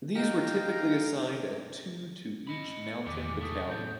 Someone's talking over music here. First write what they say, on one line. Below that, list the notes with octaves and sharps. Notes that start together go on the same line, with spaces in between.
These were typically assigned at two to each mountain battalion.
D#4 G4 D#5 F5 G5 A#5
D#5 B5
E2 D#3 E3 D6
C3 A3 D#6
A2 G6